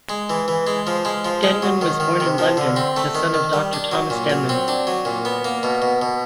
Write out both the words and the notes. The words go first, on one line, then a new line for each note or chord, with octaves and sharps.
Denman was born in London, the son of Doctor Thomas Denman.
G#3
E3
E3
G#3
F3
G#3
F3
G#3
F#3
D#3
D#3
C3
F3
D3
C4
A3
D#3
D#3
G3
D4
F#3
A#2
F#3
C4
D4
F#3
A#2
B3
A#3
B2
B2
B2